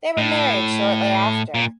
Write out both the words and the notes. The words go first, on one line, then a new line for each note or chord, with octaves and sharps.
They were married shortly after.
A2
A#2